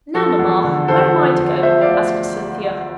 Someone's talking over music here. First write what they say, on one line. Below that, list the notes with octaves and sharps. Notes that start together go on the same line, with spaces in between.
"Now, mamma, where am I to go?" asked Cynthia.
F3 A4
E2
D3
E2 A4 C5
F3
E2
F3 C5 E5
D5 F5
D2